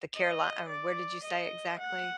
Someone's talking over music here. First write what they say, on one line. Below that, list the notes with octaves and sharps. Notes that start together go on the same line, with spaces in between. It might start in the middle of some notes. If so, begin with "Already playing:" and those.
the Caroli Um, where did you say exactly?
D#5
D5
D#5
F#5